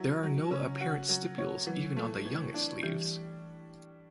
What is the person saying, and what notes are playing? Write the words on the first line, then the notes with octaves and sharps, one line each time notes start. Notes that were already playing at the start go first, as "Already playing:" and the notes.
There are no apparent stipules even on the youngest leaves.
Already playing: F#3 E4
F#3
C#3 C#4
F#4
F#3
C#5
E3 F#3
A3
A2
D4
E3 G3